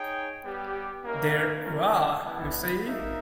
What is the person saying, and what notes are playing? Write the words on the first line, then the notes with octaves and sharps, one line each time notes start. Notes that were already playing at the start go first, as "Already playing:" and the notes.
There you are, you see!
Already playing: D#4 G#4 C#5 G5
G3 B3 G4
A#3 C#4 E4 A#4 D#5
C#4 E4 A#4
G3 B3 E4
A#3 D#4 A#4 E5